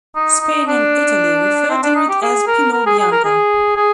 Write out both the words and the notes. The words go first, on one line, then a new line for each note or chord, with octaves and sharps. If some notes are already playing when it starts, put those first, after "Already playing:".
Spain and Italy refer to it as Pinot bianco.
D#4
D#4
D4
C4
D4
D#4
G4
G#4
A#4
A#4
G#4
G#4
A#4
G#4
G#4